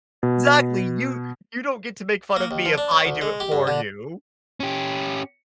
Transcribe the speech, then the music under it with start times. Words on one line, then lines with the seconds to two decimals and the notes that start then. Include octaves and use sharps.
Exactly! "You you don't get to make fun of me if I do it for you!"
0.23 B2
2.37 A#3
2.51 D#2
2.65 F3
2.78 D4
2.91 C#5
3.05 D2
3.21 G#3
3.40 G4
3.52 G2
3.67 D3
4.60 C#4 G4